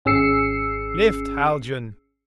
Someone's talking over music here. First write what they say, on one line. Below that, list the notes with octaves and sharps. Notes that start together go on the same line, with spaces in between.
"Lift, Haljan!"
G#1 C#4 G#4 E6 C7 C#7